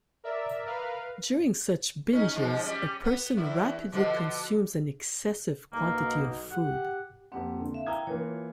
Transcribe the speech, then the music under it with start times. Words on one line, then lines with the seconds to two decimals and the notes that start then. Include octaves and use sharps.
During such binges, a person rapidly consumes an excessive quantity of food.
0.24 A#4 D5 E5
0.66 A#4 B4 F5
2.13 C#4 D#4 G#4
2.35 G#2 F3 G#3
2.63 G3 C#4
3.04 B3
3.37 E2 E4
3.92 B2 D3 F3
5.73 B1 B2 A#3 D#4
6.51 G4 F#5
7.32 F2 A#3 C4 G4 F#5
7.60 D3
7.74 E5 F5
7.86 E4 G5 A#5 D#6 G#6
8.07 E3 A#3 F4 C#5